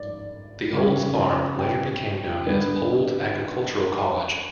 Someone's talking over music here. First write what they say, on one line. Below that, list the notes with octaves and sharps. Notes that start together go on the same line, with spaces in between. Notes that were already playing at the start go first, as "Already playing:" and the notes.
The Olds farm later became known as Olds Agricultural College.
Already playing: D5
C#3 G3 C#4
G5
D3 G3 B3 D4